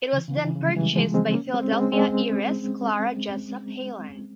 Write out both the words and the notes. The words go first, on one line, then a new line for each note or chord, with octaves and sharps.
It was then purchased by Philadelphia heiress Clara Jessup Heyland.
C#3
E3
C#3
E3
C#3 F3
G#3
E3 G3
A#3
F3 G#3
G#3 C4
A#3 C#4
G#3 C4
C#4
G#3 C4
G#3 C4